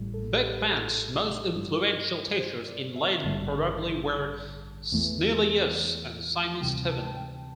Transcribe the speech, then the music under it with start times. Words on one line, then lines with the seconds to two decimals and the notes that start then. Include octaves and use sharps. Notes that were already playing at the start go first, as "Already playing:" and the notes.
Beeckman's most influential teachers in Leiden probably were Snellius and Simon Stevin.
Already playing: A1 A2 G3
0.14 A4
0.43 G4
0.61 C5
0.71 A4
1.55 G2 G3
2.40 C5
2.67 D5
2.96 E5
3.24 A1 G2 D3 G3 A5
4.92 E2 E3 A3
6.60 D2 C3 E3 G3 G5
6.89 A5
6.98 G5
7.07 A5
7.17 G5